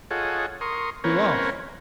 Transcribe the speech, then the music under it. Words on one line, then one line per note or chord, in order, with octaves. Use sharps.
You laugh!
F4 G#4 A4 C#5 D#5 F#5
A#4 C6 C#6 D#6
A#3 C4 C#4 A#4 B4 C#5